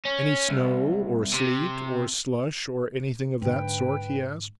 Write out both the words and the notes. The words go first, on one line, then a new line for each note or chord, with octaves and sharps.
'Any snow, or sleet, or slush, or anything of that sort?' he asked.
C#4
C2
C3
G#2 D3 B4 G5